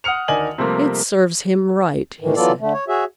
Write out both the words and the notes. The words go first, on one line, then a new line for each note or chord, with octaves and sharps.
"It serves him right," he said.
F#5 D#6 F6 C#7 F7
D2 D#3 D5 D#5 G#5 F#7
C3 F3 G3 A3 A#3
A2 D#3 E3
E3 F#3 B3 F4 A4 D5
D3 A3
C#5
F#4 G#4 C#5 E5